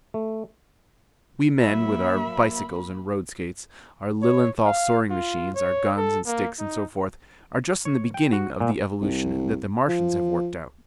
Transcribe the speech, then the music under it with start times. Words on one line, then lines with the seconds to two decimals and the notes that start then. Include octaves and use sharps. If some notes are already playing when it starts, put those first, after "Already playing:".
We men, with our bicycles and road-skates, our Lilienthal soaring-machines, our guns and sticks and so forth, are just in the beginning of the evolution that the Martians have worked out.
0.14 A3
1.60 F#3 A#3 E5 B5
4.22 C#5
4.66 F5
5.11 F4
5.55 C#5
5.97 A4
6.27 A#3
6.59 D#4
7.85 C#5
8.14 G5
8.33 F#4
8.60 A#2
9.02 C2
9.88 F3